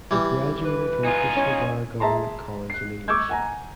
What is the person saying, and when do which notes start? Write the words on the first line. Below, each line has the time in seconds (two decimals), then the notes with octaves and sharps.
He graduated from Krishnagar Government College in English.
0.11 E3 G3
0.65 B4
1.05 D#4 F4 G#5
1.37 C#4
2.00 G#4 E5 A5 A#5 C6
2.70 F#6 C7
3.08 C#6 D6 E6 G6 G#6
3.29 F#5 G#5 A#5